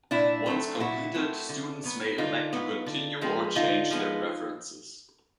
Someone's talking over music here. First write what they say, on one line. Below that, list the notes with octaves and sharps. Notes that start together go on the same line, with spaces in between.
Once completed, students may elect to continue or change their preferences.
A#2 D4 E4
F#3 A3 C4
F4
A#2 E4 F#4
F#3 A3 C4
D3
F#3 B3
D3 D#4 F4
F#3 B3
D3
F3 G#3 B3
D3 D#4 F4
F3 G#3 B3